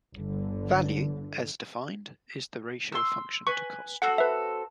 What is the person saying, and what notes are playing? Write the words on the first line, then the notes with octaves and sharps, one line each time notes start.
Value, as defined, is the ratio of function to cost.
G1 D3
C6 E6
B4 G#5 C#6
C4 F#4 A4 F#5
B4 E5